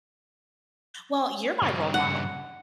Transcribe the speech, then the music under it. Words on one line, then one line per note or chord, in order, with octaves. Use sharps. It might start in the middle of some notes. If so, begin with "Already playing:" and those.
"Well, you're my role model"
G2 C#3
F#5